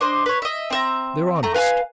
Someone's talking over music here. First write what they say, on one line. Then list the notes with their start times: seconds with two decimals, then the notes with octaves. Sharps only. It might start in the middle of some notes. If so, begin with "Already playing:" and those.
They're honest.
0.01 D4 C5 D#5
0.26 B4 C#5
0.42 D#5 E5
0.70 C4 E5 A#5
1.43 A3 A#5
1.54 B4 F5 F#5 G#5